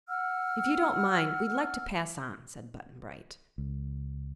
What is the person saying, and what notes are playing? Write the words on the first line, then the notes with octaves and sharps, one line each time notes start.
"If you don't mind, we'd like to pass on," said Button-Bright.
F#5 E6 F6
C#2